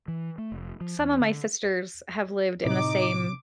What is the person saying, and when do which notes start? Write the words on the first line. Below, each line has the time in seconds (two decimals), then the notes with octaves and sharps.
some of my sisters have lived in the same
0.08 E3
0.38 A3
0.52 F1
0.81 F3
0.99 E2
1.20 D3
2.65 A2 C3 D#4 D6